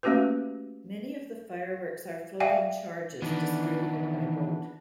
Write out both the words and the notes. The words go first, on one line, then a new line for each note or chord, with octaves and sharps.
Many of the fireworks are floating charges distributed by boat.
A3 A#3 C#4 F#4 G4 B4
D5 E5 F5 G5 G#5
D#3 E3 B3 D4